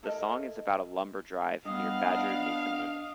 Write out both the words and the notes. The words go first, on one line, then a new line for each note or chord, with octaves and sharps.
The song is about a lumber drive near Badger, Newfoundland.
E4 A4 A#4 D#5
G2 B3 D#5 F5 F#5
D4